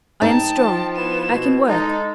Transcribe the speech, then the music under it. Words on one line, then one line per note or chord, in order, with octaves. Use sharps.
I am strong. I can work.
D#4 G5 A5
F3
B3 E4 E7
B2
G#3 D#4 A4